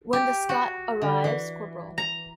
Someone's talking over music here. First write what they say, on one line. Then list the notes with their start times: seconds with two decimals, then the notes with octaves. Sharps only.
When the Scot arrives, Cpl.
0.13 G4
0.49 F#4
1.02 D3
1.24 E3
1.98 A#5